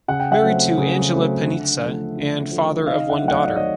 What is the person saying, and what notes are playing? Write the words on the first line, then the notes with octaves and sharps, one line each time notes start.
Married to Angela Panizza and father of one daughter.
C#3 F#5
G5
E5 F#5
F#3 A3 C4
C#3
F#3 A3 C4
D3
F3 A3
D3
F3 A3
D#3 D#5 F5
E5 F#5
F#3 A3 C4
F#5
D#5 F5
D5
D#3 C#5 D#5